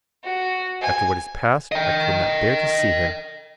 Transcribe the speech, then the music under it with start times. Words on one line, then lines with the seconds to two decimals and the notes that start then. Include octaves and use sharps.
After what has passed, I could not bear to see him.
0.23 F#4
0.81 G#5
1.72 D#5 G5